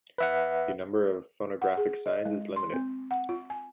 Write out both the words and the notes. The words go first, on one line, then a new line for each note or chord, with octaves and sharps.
The number of phonographic signs is limited.
B4 E5 F#5
F#5
G#4
D#5
G#3
C6
C4
F#5
F4
G#5